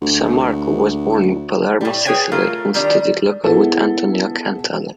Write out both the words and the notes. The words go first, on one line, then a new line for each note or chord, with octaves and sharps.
Sammarco was born in Palermo, Sicily, and studied locally with Antonio Cantelli.
D2
A2 G3
G#4 B4 C#5 G5 G#5
A3 F4 A#4
D#3 G3 D4
B3 E4 G#4 A4